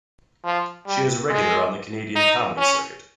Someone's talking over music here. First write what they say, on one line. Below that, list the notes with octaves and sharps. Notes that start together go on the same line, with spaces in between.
She is a regular on the Canadian comedy circuit.
F3
G3
G#3
D#4
C#4